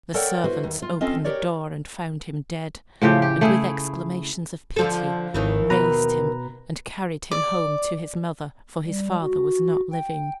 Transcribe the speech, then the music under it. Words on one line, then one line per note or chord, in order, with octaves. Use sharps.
The servants opened the door and found him dead, and with exclamations of pity raised him and carried him home to his mother, for his father was not living.
A4 A#4 C#5 D5 F#5 G5
E4 F#4 B4 C5
D#2
F4
C4 C#4 F4 A4 D#5 F5
G4 A#4 C#5 D5
A2 C#3 F3 G4
G4
A3 E4 G#4
D3 F3 A4
G#1 D#2 D#3 E3
B2 B4 A#5
D5
G3
F#4
G5